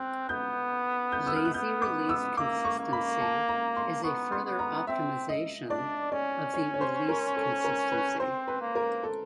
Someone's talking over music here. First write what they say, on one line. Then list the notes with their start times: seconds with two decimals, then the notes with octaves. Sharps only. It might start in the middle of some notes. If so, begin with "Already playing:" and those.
Lazy Release Consistency is a further optimization of the Release Consistency.
Already playing: C4 F#6
0.29 B3 G6
1.12 G6
1.27 E6
1.36 F6
1.45 F#6
1.54 B3 G6
1.82 D6
2.09 E6
2.37 A#3 D6
2.64 C#6
2.79 A#3
2.93 B5
3.21 A5
3.49 A#5
3.76 C6
4.04 B3 C#6
4.32 C6
4.45 B3
4.59 A#5
4.87 C4 E5
5.29 D#5
5.70 D4 D5
6.12 C#4 D5
6.54 C#5
6.74 C#5
6.81 C5
7.09 A#4
7.37 A4
7.64 A#4
7.92 B4
8.20 C4 C5
8.48 B4
8.61 A#3
8.75 A#4
9.03 A4